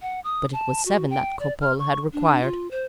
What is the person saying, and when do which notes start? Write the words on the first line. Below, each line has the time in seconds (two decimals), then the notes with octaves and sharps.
But it was seven that Cropole had required.
0.02 F#5
0.24 D#6
0.53 A5
0.86 F#4
1.11 G5
1.40 D5
1.61 F6
1.79 C#6
2.13 D4
2.42 F4
2.71 C5